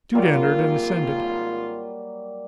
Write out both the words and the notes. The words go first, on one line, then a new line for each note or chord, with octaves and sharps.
Jude entered and ascended.
G#1 F#3 G3 A#3 F4